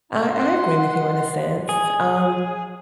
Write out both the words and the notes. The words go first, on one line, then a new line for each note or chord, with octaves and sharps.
I I agree with you in a sense, um,
F#5 C6
G#4